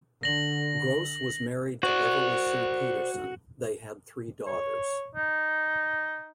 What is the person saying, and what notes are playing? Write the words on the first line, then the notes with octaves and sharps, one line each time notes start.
Gross was married to Beverly Sue Peterson; they had three daughters.
D3 A#6 F#7
F#4 C5 D5
C#5
D#4